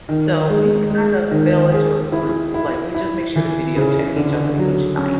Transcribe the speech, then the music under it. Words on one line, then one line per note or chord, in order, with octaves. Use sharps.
So we've kind of fell into a groove, like, we just make sure to video chat each other each night.
D#3
G#3
G#3
D#3
G#4
E4
E4
E4
E3
C#3
D3
F#3
C#4